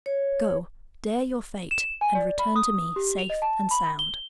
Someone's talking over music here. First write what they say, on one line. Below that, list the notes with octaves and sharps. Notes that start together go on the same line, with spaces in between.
Go, dare your fate, and return to me safe and sound.'
C#5
E7
G#5
D5
B5
D#6
G4
F7
D#5
A5
B5
G7